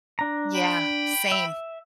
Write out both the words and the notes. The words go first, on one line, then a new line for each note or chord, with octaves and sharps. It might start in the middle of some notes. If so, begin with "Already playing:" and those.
Yeah, same.
D4 A#5
G5 B5
E5